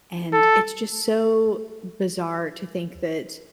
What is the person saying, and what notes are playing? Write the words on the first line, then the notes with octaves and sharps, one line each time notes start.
and it's just so bizarre to think that,
A4